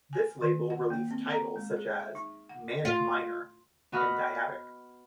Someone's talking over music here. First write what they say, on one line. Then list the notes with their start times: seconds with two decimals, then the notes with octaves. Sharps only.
This label released titles such as "Manic Miner" and "Dyadic".
0.13 G#5
0.41 D#3
0.70 F#5
0.90 A#3
1.11 C4
1.31 A#5
1.56 G#3
1.77 G#4
2.00 E5
2.15 D#4
2.49 F#5
2.85 F4
3.92 B3 F#4 D#5 F#5 B5 F6